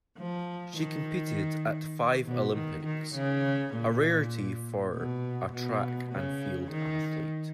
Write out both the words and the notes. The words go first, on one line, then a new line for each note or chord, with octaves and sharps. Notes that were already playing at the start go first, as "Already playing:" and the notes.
She competed at five Olympics, a rarity for a track and field athlete.
F3
D#3
B2
D#3
D#3
C#3
A#2
B2
B2
C#3
D#3